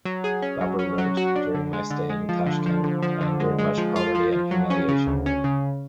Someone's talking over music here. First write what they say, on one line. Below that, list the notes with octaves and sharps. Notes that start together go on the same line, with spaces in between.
Babur wrote, During my stay in Tashkent, I endured much poverty and humiliation.
F#3
G#4
C#4
F#3
C#4
F#3
F#4
D4
D3
G#3
D3
G#3
F3
D3
F3
D3
F3
D3
G#3
G#3
F3
F4
F3
F3
F#3
C#4
C#3
D2
C#4
C#3